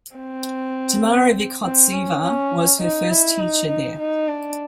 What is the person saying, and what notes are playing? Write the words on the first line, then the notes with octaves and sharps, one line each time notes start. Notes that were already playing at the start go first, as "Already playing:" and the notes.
Tamara Vykhodtseva was her first teacher there.
C4
C4
C#4
C#4
D#4
E4
D#4
D#4
D#4
D4